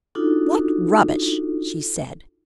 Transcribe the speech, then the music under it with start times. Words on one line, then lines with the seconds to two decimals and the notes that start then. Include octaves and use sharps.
"What rubbish!" she said.
0.15 D4 D#4 F4 F#4 A4